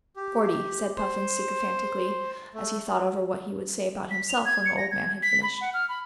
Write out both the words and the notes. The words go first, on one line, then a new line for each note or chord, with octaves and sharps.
"Forty," said Puffin sycophantically, as he thought over what he would say about himself when the old man had finished.
G4
C5
A3
B6
F7
G#6
C#7
A#6
G#6
B6
B5
F#5
F6
B5